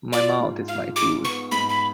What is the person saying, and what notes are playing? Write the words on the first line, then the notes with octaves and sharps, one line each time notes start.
My mouth is my tool.
F4 D5
G#2
F4 F5
G#3 D6
B3 C#6
G#2 B5
B5